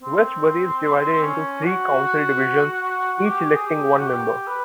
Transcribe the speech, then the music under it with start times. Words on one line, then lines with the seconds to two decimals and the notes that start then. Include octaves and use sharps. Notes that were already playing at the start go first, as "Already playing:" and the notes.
Westbury is divided into three council divisions, each electing one member.
0.01 C4
1.13 C4
1.23 C#4
1.63 F#4
2.03 F#4
3.26 G4
3.54 G#4
3.66 G4
3.99 F#4
4.07 G4
4.47 B4